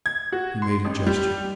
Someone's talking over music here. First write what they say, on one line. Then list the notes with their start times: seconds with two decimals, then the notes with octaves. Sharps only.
He made a gesture.
0.06 G#6
0.32 F#4
0.62 C6
0.85 A1
1.07 G3